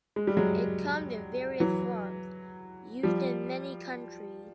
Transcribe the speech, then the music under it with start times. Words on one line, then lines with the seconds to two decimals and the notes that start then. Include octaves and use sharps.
It comes in various forms used in many countries.
0.16 G#3
0.27 G3
0.37 F#3 G#3
1.60 E3 F#3
3.03 F3 G3